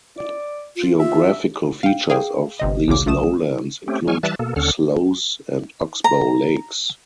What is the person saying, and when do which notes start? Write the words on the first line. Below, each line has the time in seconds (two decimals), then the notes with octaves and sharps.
Geographical features of these lowlands include sloughs and oxbow lakes.
0.18 D5
0.76 F4
0.99 F4 E5
1.83 F5 G5
2.10 G#4 F5 G5
2.60 G1 C3 D#5
2.88 A1 D2 C#3 D6
3.07 B1 A3 D#6 E7
3.88 A3 C4 C#4 G4
4.08 F#3 G#3 G#5 C#6 F6
4.23 E3 G3 E5 A5 F#6 A6
4.39 B2 A#3 A4
4.56 D#2 D3 C#4 A4 F#5 F6
6.04 A#5